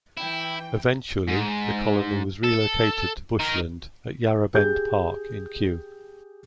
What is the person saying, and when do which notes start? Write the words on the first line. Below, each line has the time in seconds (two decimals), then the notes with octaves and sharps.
Eventually the colony was relocated to bushland at Yarra Bend Park in Kew.
0.17 E3 E4 G5
1.28 G#2
2.44 A4
3.39 D#4 A#4
4.54 G4 G#4 G6